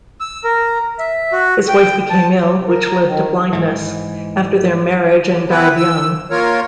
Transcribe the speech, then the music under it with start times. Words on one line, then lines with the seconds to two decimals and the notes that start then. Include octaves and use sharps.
His wife became ill, which led to blindness, after their marriage and died young.
0.20 E6
0.44 A#4
0.99 E5
1.32 F#4
1.68 G5
2.10 A5
2.54 C3
2.68 A#4
2.88 A#5
3.05 D#3
3.53 G#2 E3
5.28 E3
5.50 B3 C4 E4 B4
5.77 E6
6.31 A#3 F4 A#4 C#5